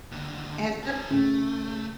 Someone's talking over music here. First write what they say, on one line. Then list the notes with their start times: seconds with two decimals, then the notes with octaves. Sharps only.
And so
0.12 D#2 D3
0.83 G4 A4
1.11 C#3 A3